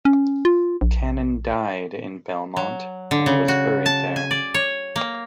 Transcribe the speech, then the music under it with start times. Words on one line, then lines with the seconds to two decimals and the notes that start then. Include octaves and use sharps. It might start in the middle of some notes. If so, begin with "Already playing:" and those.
Cannon died in Belmont and was buried there.
0.05 C#4
0.45 F4
0.81 A#1
2.56 F#3
3.11 D3
3.26 C#3
3.48 F#4
3.86 A5
4.16 G#5
4.31 D5
4.54 C#5
4.96 A#3